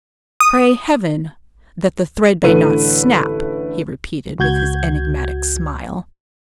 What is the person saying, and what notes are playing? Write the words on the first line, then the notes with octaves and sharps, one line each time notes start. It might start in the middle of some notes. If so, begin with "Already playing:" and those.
"Pray heaven that the thread may not snap," he repeated, with his enigmatic smile.
D#6
A1 D3 A3 E4 B4 D#7
C#2 F#4 G6 G#6